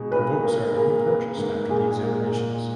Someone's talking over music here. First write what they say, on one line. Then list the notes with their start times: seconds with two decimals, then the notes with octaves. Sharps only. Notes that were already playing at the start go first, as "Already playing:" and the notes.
The books are repurchased after the examinations.
Already playing: B2 G#3 D#4 G#4
0.11 B1 B4
0.43 A#3 A#4
0.75 A#3 G#4
1.06 A#3 B4
1.37 G#2 A#4
1.69 A#2 G#4
2.01 A#3 G#4
2.32 A#2